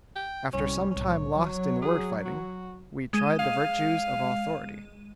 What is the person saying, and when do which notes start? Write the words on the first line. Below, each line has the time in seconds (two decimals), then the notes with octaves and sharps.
After some time lost in word-fighting, we tried the virtues of authority.
0.16 G5
0.53 C2 G3 C#4 C#5
0.91 C2 A2 C#5
1.33 F#3
1.82 G#4
2.25 F#4
3.13 G#3 D#7
3.39 F5